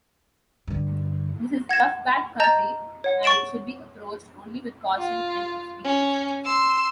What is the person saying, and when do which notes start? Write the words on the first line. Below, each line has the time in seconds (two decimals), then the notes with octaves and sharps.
This is rough backcountry and should be approached only with caution and experience.
0.68 G2 D3
1.69 F#5 G#6 A#6 E7
2.40 D#5 A5 A#5 G6 A6
3.04 C#5 F#5
3.23 C#6 A6 D7 E7 F#7
4.98 F4
5.84 C#4
6.45 C6 E6